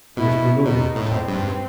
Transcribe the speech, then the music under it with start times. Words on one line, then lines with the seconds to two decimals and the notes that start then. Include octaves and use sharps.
He was familiar with the type.
0.17 B2 E4
0.64 B2 D#4
0.96 A2
1.12 C4
1.28 G2